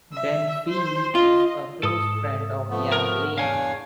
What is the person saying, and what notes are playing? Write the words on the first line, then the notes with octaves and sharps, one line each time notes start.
Deng Fei is a close friend of Yang Lin.
E5
C5
F4 D#5
G#2 A4 D#6
F3 A3 B3
A#4
E2 D4 C#5 F5 G#5